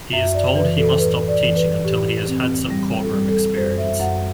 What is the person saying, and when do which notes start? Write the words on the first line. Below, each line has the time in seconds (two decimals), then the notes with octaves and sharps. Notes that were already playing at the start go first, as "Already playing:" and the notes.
He is told he must stop teaching until he has had some courtroom experience.
0.12 F#2 E5
0.34 D5
0.56 E3 B4
0.77 A4
0.98 A2 B4
1.28 D5
1.41 E3
1.56 B4
1.85 A2 G4
2.28 C4
2.70 G3
2.99 A4
3.14 G3
3.28 A4
3.57 F#2 C5
3.78 E5
3.99 F#2 F#5